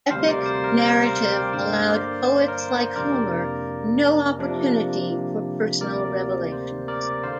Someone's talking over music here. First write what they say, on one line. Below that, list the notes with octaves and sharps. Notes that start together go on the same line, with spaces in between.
Epic narrative allowed poets like Homer no opportunity for personal revelations.
D2 C3 G3 C5 F5
A#4 D5
C5
A#4
A#4
C5 F5
D5 G5
G2 D3 A#3 D4 C5 F5
A#4 D5
C5
A#4
C5
F2 C3 A#3 D4 A#4 D5
C3 F3 A#3 D4
D2 C3 A#3 A#4 D5
C5
A#4 D5
D3 C5 F5